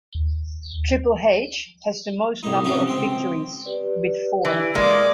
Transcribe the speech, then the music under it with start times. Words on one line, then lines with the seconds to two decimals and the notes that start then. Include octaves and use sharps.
Triple H has the most number of victories, with four.
0.15 D#2
2.43 C2 A2 D#4
2.64 C3 F3 G3 C#4 D#4 F#4
2.87 C#2 C4 G5
3.65 G4 B4 D5
4.45 E3
4.75 G#3 A#3 D5